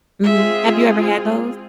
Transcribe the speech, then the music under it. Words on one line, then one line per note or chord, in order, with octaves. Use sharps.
Mhm, have you ever had those?
G#3 C4 F4 G#4 E5